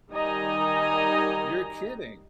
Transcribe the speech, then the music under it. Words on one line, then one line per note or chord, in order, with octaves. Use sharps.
You're kidding!
D#3 G3 D#4 D#5 G#5 A#5